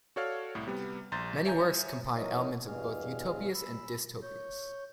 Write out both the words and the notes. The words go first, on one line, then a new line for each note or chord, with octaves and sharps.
Many works combine elements of both utopias and dystopias.
F#4 A4 C#5 D5 F5 F6
C2 A2
C3 G3 B3
A#1 A#5 C6 G6 A6
C#5 E5 G#5 A#5 G6
E3 F#3 D#4 A#4 C#5 D#6
E2 G2 B2 G#4 F6
B5 E6
C#5 G6